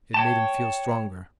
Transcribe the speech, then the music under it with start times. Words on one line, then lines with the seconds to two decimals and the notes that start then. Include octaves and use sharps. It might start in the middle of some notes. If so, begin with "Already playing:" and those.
It made him feel stronger.
0.14 C#5 G5 A5